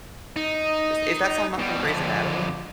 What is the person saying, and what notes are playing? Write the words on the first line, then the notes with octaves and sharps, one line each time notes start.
Is is that song not from Grey's Anatomy?
D#4
B2 G3
F2 D3